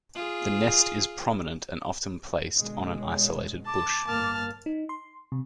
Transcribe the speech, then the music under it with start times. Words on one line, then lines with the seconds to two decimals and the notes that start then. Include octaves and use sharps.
The nest is prominent and often placed on an isolated bush.
0.15 F4 G#4
2.56 B2 D3 G#3
3.00 C#5
3.66 A5 D6
4.07 G1 A2 A#3 A5 F6
4.66 D#4
4.89 C6
5.32 C3